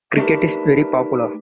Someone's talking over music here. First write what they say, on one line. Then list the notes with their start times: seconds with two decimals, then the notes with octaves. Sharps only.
Cricket is very popular.
0.17 A3 D4 D#4 G4 A#4 B4